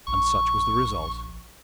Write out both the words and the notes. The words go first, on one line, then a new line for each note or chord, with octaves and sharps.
And such was the result.
A#1 C#6